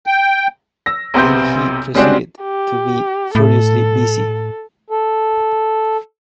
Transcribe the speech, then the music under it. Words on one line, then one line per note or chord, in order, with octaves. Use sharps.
Then he proceeded to be furiously busy.
G5
E6 A#6
B1 C3 B3 C4 C6 G6
C#3 G3 G#3 C4 D4 F#4
G4
A2 A4
A4